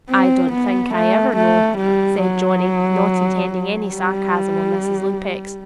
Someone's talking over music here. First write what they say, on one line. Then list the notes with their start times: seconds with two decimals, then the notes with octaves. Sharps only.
"I don't think I ever know," said Johnny, not intending any sarcasm on Mrs. Lupex.
0.09 C4
0.53 B3
0.94 A3
1.37 A3
1.78 G3
2.21 F#3
3.89 G3